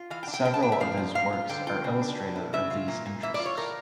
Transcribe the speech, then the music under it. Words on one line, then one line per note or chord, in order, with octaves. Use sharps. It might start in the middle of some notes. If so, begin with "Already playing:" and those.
Several of his works are illustrative of these interests.
Already playing: F4
E3 F5
G5
D4
G5
C#3 G5
A5
D4 G5
E5
F3 F5
F3
A#2 F5
F4
D3 G5
F4 G5
C#3
D4
A2
E4
C#3 E5
F4
A#2
A#2
E3 E5
D5
F4
C#5
A2 A#4